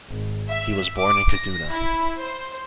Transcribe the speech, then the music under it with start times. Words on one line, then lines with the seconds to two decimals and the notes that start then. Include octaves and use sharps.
He was born in Kaduna.
0.13 G#1
0.49 E5
0.99 D6
1.32 A#6
1.71 E4
2.19 C5